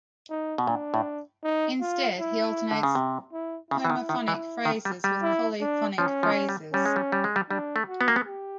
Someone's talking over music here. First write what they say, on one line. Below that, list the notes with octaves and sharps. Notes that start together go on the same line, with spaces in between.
Instead he alternates homophonic phrases with polyphonic phrases.
D#4
B2
A#2 D4
A2
D#4
F4
E4
D3
C#3
C3
E4
C#3 E4
E3
D#3
D#3
E3
D#3
G3
G3
E4
D4
F3 C#4
F3
G3
G3 C#4
G#3
G3
G3
G#3
G3
G3 D4
A3
F#4
B3
A#3
B3
G4